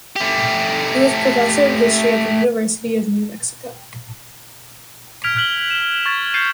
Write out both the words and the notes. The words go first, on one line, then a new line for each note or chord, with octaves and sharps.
He was professor of history at the University of New Mexico.
A3 G4
F6 G#6 B6 D7 F7
F6 F#6 G#6 B6 F#7 G7
E7
C#6 G#6 A6
G6 A6 C7 C#7 D#7